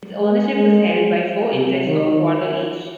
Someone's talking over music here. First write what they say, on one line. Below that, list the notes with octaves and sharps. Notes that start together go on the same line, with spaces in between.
Its ownership was held by four interests of a quarter each.
G#3
G#3
C3
D#3